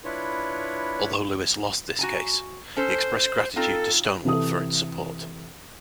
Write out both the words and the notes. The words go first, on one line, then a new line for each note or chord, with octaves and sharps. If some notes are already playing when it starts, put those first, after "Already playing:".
Although Lewis lost this case, he expressed gratitude to Stonewall for its support.
D4 E4 F4 B4 C#5
F#4 G#5 A#5
C#4 A4 C5
C4 D#4 F4 A4
C3 E3 A4 D#6